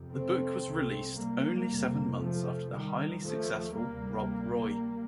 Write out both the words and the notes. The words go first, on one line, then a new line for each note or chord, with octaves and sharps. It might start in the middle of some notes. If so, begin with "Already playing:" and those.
The book was released only seven months after the highly successful "Rob Roy".
Already playing: F2 C3
A3 C4
C2 C3
G3 A#3
F2 C3
F3 A3
D#2 D#3 G3
F3 A3
D2 C3 G3 A#3